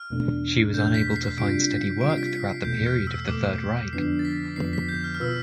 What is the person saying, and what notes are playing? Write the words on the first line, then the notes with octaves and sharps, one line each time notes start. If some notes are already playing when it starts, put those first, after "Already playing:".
She was unable to find steady work throughout the period of the Third Reich.
Already playing: F6
E2 B2 A3 D4
E2 B2 A3 D4 G6
B6
C7
C3 G3 D4 F4 D7
C3 G3 D4 F4 D7
C7
B6
C7
E2 B2 A3 G6
F6
E6
E2 B2 A3 D6
F2 D3 F3 B3 D4 C7
A6
B6
F2 D3 F3 B3 D4 C7
B6
G6
F6
F6
B2 B3 F4 B4 E6